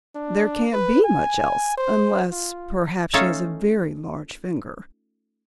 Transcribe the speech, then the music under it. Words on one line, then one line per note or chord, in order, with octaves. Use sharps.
"There can't be much else--unless perhaps she has a very large finger."
D4
B4
G#5
C5
F4
A3 C#4 D#4 F4 A4 C#5